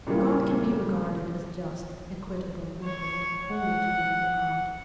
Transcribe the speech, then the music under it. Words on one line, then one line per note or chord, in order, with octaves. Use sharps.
God can be regarded as just, equitable, and good, only to another God.
A#2 C#3 E3 G3 A#3
C#5
F#5